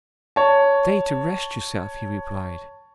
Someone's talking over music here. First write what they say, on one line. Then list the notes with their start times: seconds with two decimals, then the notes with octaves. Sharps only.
'Stay to rest yourself,' he replied.
0.36 C#5 A5